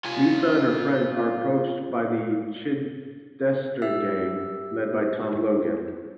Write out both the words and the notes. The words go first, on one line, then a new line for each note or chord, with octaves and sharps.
Lisa and her friends are approached by the "Chidester Gang", led by Tom Logan.
F4 G#5
G4 E5 E6